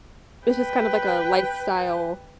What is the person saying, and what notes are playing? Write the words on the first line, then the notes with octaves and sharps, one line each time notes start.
It's just kind of like a lifestyle
B4 G5